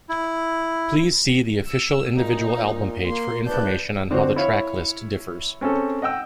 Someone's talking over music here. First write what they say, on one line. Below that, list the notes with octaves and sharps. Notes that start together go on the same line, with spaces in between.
Please see the official individual album page for information on how the tracklist differs.
E4
E6
A#2 D#4
A#3 C6
G#1 B4 D5 A5 G6
D3 C4 D4 F#4 C5
E4 C#5 F5
C4 C#4 G#4 A4
D#5 F#5 G5 E6